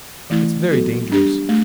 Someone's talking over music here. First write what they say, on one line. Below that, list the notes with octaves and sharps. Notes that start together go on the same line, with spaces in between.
It's very dangerous.
E3 A3 E4
F#3 B3 F#4 A4
G3 D4 G4
A3